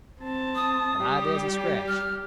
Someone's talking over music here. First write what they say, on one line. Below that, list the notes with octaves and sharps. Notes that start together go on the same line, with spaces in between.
But I dasn't scratch.
C4 A5
D#6
G3 G4
F6